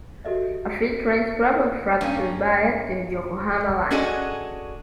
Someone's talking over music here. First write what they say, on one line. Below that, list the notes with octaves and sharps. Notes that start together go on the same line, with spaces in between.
A few trains travel through to via the Yokohama Line.
F#4 G4 A4 D#5 E5
G2 A#3 C#4
C#4 D4 F#4 G#4 A4 D#5